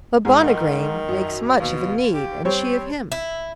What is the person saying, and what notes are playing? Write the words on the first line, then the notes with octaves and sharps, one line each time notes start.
Mabonagrain makes much of Enide, and she of him.
G#2 G#4
D#3
F#2
D#2 B2
G4
G3 C4 C5 C#5
E4